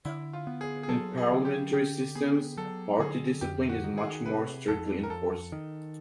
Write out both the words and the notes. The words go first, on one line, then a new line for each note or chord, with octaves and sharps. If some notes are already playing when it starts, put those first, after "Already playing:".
In parliamentary systems, party discipline is much more strictly enforced.
D3 E4
F4
B3
G#4
G#4
F#3 A4
G#4
D3
G4
D3 G4
B3 G#4
F#3 A4
D3 G#4
F2 G4
F#4
D#3
G#4
C3 B4
F2 A4
A#4
F2 A4
D#3